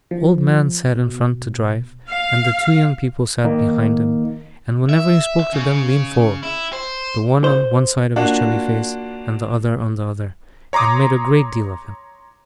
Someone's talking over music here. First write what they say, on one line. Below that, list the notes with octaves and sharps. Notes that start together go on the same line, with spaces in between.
The old man sat in front to drive, and the two young people sat behind him, and whenever he spoke to them leaned forward, the one on one side of his chubby face and the other on the other, and made a great deal of him.
F3
B2
F5
D#3 A#3 D#4
E5
E5
C#3
E4
C5
C5
A#3 D4 F4 F#4
C#5 A#5 C6 D6 D#6